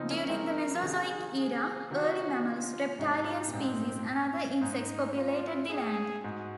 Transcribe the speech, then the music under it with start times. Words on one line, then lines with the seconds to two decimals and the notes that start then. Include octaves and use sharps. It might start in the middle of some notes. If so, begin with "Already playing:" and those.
During The Mesozoic Era, early mammals, reptilian species, and other insects populated the land.
Already playing: C#3 F3 C4 D#4
0.11 A#3 C#4
0.28 G#3 C4 A#4
0.75 F3
0.83 C3 D#3 G#4
1.37 G#4
1.91 C3 D#3 F#4
2.45 F4
2.99 G#2 C3 D#4
3.48 A#2
3.53 G#2 C4
4.61 G#2 D#4
5.16 F4
5.70 G#4
6.24 G#2 F#4